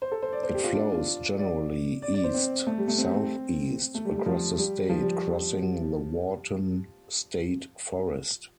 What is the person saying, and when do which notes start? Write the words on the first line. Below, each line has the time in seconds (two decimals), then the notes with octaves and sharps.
It flows generally east-southeast across the state, crossing the Wharton State Forest.
0.02 C5
0.12 A4
0.22 C5
0.33 D5
0.43 C5
0.54 G4
0.64 F4
0.75 D4
0.92 F4
1.39 D5
2.02 D5
2.14 D5
2.24 C5
2.34 C4
2.67 A3
2.78 G3
2.88 A3
2.98 C4
3.14 C4
3.94 A3
4.05 G3
4.16 G3
4.26 F3
4.58 G3
4.89 F3
5.01 G3